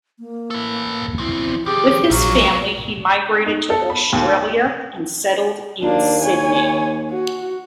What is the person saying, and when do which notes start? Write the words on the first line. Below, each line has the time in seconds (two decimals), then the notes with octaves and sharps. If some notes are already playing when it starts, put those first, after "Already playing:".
With his family he migrated to Australia and settled in Sydney.
0.20 A#3
0.51 A4 B4
1.19 E2 C4 E4
1.66 D#3 F3 G4 G#4
2.10 A#1 A#2 F#3 F4
3.46 D#4
3.70 A4
3.90 B5
4.13 D#2
5.82 D#2 A#3 D4
6.22 C#5 G#5
7.11 F#4